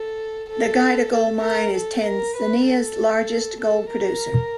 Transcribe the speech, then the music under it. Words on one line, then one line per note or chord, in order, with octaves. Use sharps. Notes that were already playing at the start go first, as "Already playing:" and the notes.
The Geita Gold Mine is Tanzania's largest gold producer.
Already playing: A4
A4
A4
A#4
A4
A#4
B4
A4
A4
A#4